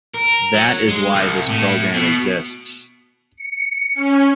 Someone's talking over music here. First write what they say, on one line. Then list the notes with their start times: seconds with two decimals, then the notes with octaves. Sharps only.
That is why this program exists.
0.14 A#4
0.54 F#3
0.88 G#3
1.14 C2
1.50 A2
1.94 B2
3.36 C#7
3.94 C#4